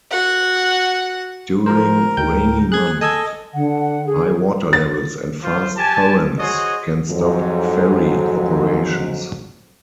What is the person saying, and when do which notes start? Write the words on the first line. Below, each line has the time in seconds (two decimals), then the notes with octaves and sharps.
During rainy months, high water levels and fast currents can stop ferry operations.
0.11 F#4 F#5
1.66 F3 A#4 C5
2.17 D2 G5 G6
2.72 G#4 F#6 G#6
3.01 A4 D#5 G#5 E6 G#6
3.54 D3 F#5
4.06 G#4
4.73 A6
5.43 F4 C5
5.77 G4 G#5 A5
6.39 F#4 G#4 C5 C#5 D#5
7.09 F2 G#2 F#3